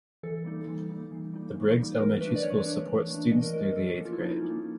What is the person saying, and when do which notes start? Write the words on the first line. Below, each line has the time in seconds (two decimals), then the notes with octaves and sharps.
The Briggs Elementary School supports students through the eighth grade.
0.23 E3 A4
0.45 G3 A#3 D#4
0.67 E3
0.89 G3 A#3 D#4
1.11 E3
1.33 G3 A#3 D#4
1.55 E3
1.77 G3 A#3 D#4
1.99 E3 A#4
2.21 A3 D4 B4
2.36 D5
2.43 E3 C#5
2.65 A3 D4
2.87 E3
3.10 A3 D4
3.32 E3 D#5
3.42 A#4
3.53 A3 A#4
3.56 D4
3.65 A#4
3.76 F3 A4
3.98 A#3 C#4
4.05 F4
4.13 E4
4.19 F3 D#4
4.41 A#3 C#4